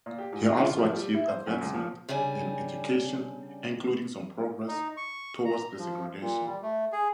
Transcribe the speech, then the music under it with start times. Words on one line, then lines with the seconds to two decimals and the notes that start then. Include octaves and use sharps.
He also achieved advancements in education, including some progress toward desegregation.
0.06 A#2
0.18 G4
0.33 G#2
0.49 D#5
0.62 F4
0.78 F3
0.93 G3
1.14 E4
1.28 C5
1.47 F#2
1.61 C#2
1.74 F3
2.09 C#3 G3 D4 G#5
4.68 D#4
4.97 C#6
5.45 A#5
5.78 F3
6.21 A#2
6.46 G3
6.62 A3
6.92 G#4